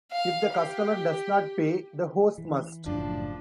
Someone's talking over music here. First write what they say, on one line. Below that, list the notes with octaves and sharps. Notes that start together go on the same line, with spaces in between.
If the customer does not pay, the host must.
F5
G4
E3
F#1 F#2 A2 F3 D4